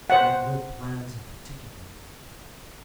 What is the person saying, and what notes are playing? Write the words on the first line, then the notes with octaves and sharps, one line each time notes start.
They have no plans in particular....
C5 F#5